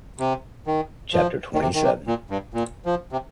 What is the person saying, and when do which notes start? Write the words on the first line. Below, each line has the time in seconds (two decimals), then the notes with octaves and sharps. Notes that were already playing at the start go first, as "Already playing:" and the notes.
Chapter twenty seven.
0.19 C3
0.67 D#3
1.13 F3
1.54 D#3
1.61 C3
1.74 D#3
1.83 C3
2.07 A#2
2.31 G2
2.54 A#2
2.86 F3
3.12 C3